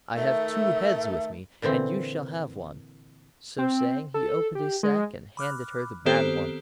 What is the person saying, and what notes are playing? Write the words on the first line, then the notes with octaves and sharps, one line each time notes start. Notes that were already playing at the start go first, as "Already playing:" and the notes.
'I have two heads with me, and you shall have one.' So saying, he opened his sack, and handed her the bad one.
D#3 A3 E5
A#2 D3 E3 C4
C4
A4
G4
G#3
B5 D6 F6 F#6
D#3 B3 C4 G4 A4 C5